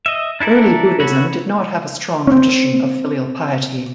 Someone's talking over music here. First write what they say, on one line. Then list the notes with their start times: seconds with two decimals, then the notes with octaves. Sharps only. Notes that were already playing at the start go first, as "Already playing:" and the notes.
Early Buddhism did not have a strong tradition of filial piety.
0.06 D#5 E5
0.40 D4 E4 A4 A#4 D5
1.00 F#4 A4 B4 C#5 B5
2.27 C4 C#4